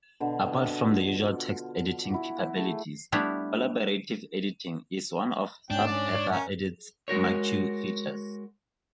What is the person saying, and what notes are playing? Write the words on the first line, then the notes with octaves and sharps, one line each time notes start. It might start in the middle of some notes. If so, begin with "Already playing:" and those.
Apart from the usual text-editing capabilities, collaborative editing is one of SubEthaEdit's marquee features.
B2 D3 C6
F4
E4 F#4
A3 G#4
G3 A3 B3 D4 E4 G4
D#2 G#2 B2 C#4 D4 G5
C#4 D5
C#5
C#4 A#4
G#3 F#4 A#4 C#5